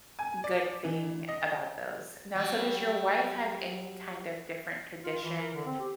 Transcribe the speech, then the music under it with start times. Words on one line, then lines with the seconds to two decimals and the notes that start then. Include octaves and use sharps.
good thing about those. Now, so, does your wife have any kind of different tradition
0.19 G#5
0.44 D5
0.85 E3
1.28 D#5
2.35 F#3 G3
5.03 F4
5.23 E3
5.40 A#4
5.54 D3
5.66 C4
5.80 G4